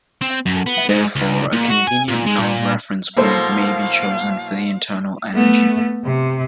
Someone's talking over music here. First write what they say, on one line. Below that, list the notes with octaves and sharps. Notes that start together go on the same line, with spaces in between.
Therefore, a convenient null reference point may be chosen for the internal energy.
C4
F#2
B3
G#2
C#2
A#2
F#4
G#5
A#2
G#3
A#2
B2 F#3 A#3 E4 A4 C5 F5
A3 B3
C3